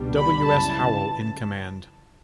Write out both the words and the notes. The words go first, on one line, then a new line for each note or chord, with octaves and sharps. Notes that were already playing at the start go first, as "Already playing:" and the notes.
W. S. Howell in command.
Already playing: C#2 B2 G3 D4
B5
F#2 C#3 E3 A5
A5